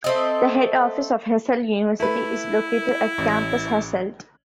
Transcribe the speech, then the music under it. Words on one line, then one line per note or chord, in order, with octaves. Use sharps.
The head office of Hasselt University is located at campus Hasselt.
A3 C4 D#5
A3 E4 B4
A1